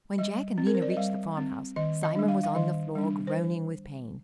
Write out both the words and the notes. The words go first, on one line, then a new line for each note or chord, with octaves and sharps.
When Jack and Nina reached the farmhouse Simon was on the floor, groaning with pain.
G3 D#5
C4
A#4
C5
D5
D#5
G3 F5
C4
D#3 D#5
D#5
G3 D4
F5
F5
D#3 D#5
G3 D4
C5